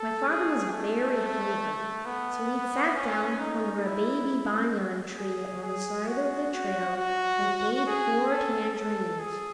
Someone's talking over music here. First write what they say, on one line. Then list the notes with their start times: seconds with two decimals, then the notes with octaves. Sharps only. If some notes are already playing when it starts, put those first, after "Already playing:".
My father was very hungry so he sat down under a baby banyan tree on the side of the trail and ate four tangerines.
Already playing: A4
0.27 G#4
0.71 A3
2.05 B3
2.95 C#4
3.39 D#4
3.84 E4
5.18 G#4
5.63 G#4
6.08 F#4
6.52 F#4
6.97 F#4
7.86 G#4
8.31 A4
8.75 A4
9.20 G#4